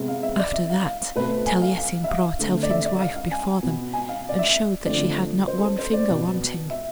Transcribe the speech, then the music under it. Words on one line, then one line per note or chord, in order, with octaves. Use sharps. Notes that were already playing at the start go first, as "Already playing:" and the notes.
After that Taliesin brought Elphin's wife before them, and showed that she had not one finger wanting.
Already playing: C3 G#3 B3
F5
E5
D5
E5
F5
F5
B2 A3 C4 B4
G#5
F5
F5
E5
F5
D3 A3 C4
D5
E5
D5
F5
F5
G#5
B2 B3
G#5
F5
D5
E5
D3 F3 A3 C4 D5
C5
A4
C5
D5
B2 B3
E5